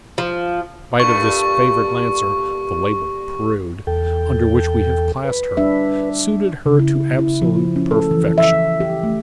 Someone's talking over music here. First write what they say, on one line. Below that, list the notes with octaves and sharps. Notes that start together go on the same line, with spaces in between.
In spite of this favored Lancer, the label: Prude, under which we have classed her, suited her to absolute perfection.
F3
G2 A#2 A3 C#6
E2 A4 G5
B4
G3 D4 E5
C#3
E4
E4
F3
C#4
A4
E3
E5
G4
A3